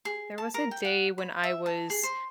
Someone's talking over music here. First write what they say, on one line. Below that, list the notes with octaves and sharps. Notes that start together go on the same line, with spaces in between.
There was a day when I was
G#4
A5
A#4
G5
F#5
B5
E5
A5
G#4
C5